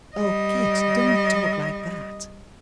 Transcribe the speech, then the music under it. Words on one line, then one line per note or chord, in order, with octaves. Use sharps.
'Oh, Kit, don't talk like that.'
G3 D#5